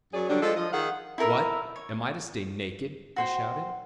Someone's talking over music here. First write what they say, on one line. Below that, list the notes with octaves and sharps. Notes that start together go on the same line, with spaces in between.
"What, am I to stay naked?" he shouted.
F#2 F#3 G#4 C#5 D5
D3 F#3 G3 D4
F3 G#3 A4
F3 D#5
D#3 G#4 F5 F#5
E4 A4 A#4 E5
C#5
F#4 C5 G5